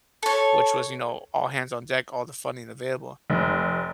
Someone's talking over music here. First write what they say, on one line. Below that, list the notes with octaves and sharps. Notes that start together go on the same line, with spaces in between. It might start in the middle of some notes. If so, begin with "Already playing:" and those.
which was, you know, all hands on deck, all the funding available
A4 C#5
F1